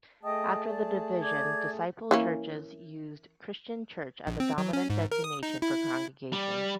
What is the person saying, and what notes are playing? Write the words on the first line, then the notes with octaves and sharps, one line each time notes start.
After the division Disciples churches used "Christian Church" as the dominant designation for congregations.
A3 G#4 D#5 G5 A5 D#6
D5
D5 D6 G#6
E3 A#3 C#4
A#1
C4
F#3
C#4
G#2
A#4
D#6
D#4
E4
G3